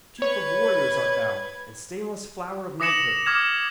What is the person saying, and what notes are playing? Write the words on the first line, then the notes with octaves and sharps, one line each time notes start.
Chief of warriors art thou, and stainless flower of knighthood!'
B4 C#5 G#6
D6 D#6 A#6 C#7 E7 F#7
D6 D#6 F6 G#6 E7 F7